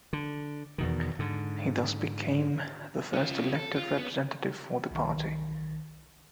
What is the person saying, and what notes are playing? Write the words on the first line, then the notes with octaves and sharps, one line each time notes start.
He thus became the first elected representative for the party.
D3
E2 B2 D#3
G#2 D3
C#4 F4
A4
F4
B3
B1 D#3